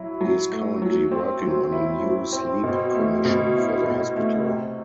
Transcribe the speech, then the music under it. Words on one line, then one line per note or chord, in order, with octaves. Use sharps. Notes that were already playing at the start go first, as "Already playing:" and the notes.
He is currently working on a new sleep commission for the hospital.
Already playing: F#3 E4
F#3
A3
F#3
C4
F#3
E4
F#3
C4
B2
A3
B2
E4
B2
A3
C3